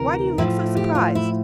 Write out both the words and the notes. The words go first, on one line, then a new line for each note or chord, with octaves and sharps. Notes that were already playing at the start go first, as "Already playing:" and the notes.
Why do you look so surprised?
Already playing: D2 C3 E3 A#4
A2 F3 A3
G4
F4
E4